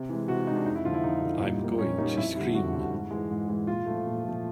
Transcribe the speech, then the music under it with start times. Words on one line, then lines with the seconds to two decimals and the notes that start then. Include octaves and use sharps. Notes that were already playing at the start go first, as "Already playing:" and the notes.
I'm going to scream!
Already playing: C3
0.09 E3 G#3
0.28 C3 F#4
0.47 E3 D#4
0.51 G#3 D4
0.66 F2 D#4
0.75 E4
0.85 D3 F4
0.88 F3
0.94 E4
1.04 F2 D#4
1.22 D3 F3
1.41 A#2 D#4
1.60 G3 A#3
1.78 A#2 C#4
1.98 A#3 D#4
2.02 G3
2.17 F2 E4
2.35 G3 E4
2.39 D3
2.54 F2 F#4
2.73 D3 G3
2.93 G#2
3.10 E3 G#3
3.30 G#2
3.48 E3 G#3
3.67 A#2 F4
3.86 F3 A3
4.06 A#2
4.24 F3 A3